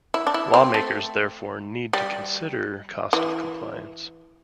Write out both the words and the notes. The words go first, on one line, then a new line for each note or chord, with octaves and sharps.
Lawmakers therefore need to consider cost of compliance.
E4
D4
E4
C4
A3
G3
E3